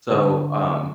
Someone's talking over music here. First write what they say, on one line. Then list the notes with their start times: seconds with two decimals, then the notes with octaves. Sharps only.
so, um,
0.11 D3